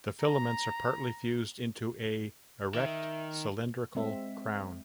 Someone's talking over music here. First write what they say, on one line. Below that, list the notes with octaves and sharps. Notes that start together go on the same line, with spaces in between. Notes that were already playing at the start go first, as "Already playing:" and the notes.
The filaments are partially fused into a, erect, cylindrical "crown".
A#5
D#3 E5
G#3 C4 E5